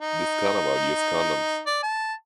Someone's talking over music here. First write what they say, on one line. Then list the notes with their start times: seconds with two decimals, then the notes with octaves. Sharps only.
This Carnaval, use condoms.
0.01 D#4
1.66 D5
1.83 A5